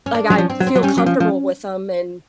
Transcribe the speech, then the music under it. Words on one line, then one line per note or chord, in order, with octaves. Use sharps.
like, I feel comfortable with 'em and,
C#4
D4
F#3 C#4
F3
C4
F#3
C4
F#3
G3 C#4
F#3
F3
F3